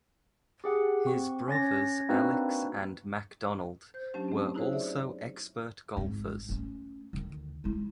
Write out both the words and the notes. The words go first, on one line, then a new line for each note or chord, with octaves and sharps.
His brothers Alex and Macdonald were also expert golfers.
G4 G#4 F#5
C4 C#6
C#4 C#5 A6 A#6
A#3 C4 D4 D#4 F#4 B4
C5 G6
F#3 A3 C#4 D4 G4
A3 C4
D#4 E4 F#4 G#4 C5 C#5
D5 E5
G#1 G#2
A3 C#4
D2 D#3
G#3 E4